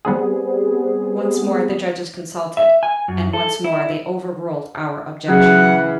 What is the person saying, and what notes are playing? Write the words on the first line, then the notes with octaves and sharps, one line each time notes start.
Once more the judges consulted, and once more they overruled our objection.
G3 B3 C4 G#4
E5
G#5
F#2
A4
E4
C#3 E3 F#3 F#5